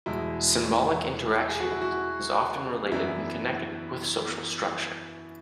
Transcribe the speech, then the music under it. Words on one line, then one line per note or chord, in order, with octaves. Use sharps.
Symbolic interactionism is often related and connected with social structure.
E2 B2 G#3 E4
G#4
F#4
E4
F#4
F#2 E3 B3 D4 E4